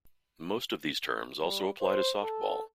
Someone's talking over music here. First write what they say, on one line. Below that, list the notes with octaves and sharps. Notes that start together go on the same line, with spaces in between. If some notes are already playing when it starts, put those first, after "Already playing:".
Most of these terms also apply to softball.
G3
C5
A4